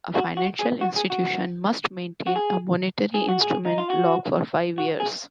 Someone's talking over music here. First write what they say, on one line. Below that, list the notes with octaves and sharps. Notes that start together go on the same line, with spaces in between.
A financial institution must maintain a Monetary Instrument Log for five years.
F#4
F#4
G#4
F#4
G#4
F#4
F#4
G#4
G#4
F#4
G#4
D#4
F4
F#4
F#4
G#4